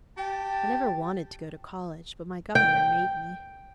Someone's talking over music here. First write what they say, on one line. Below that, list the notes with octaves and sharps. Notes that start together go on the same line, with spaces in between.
I never wanted to go to college; but my governor made me.
G4 G5 A5
G5